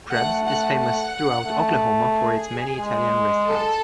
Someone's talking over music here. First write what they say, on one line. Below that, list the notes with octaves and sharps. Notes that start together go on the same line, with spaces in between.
Krebs is famous throughout Oklahoma for its many Italian restaurants.
A3 F#5
F#5
F#5
A3
G#4
G#3
A4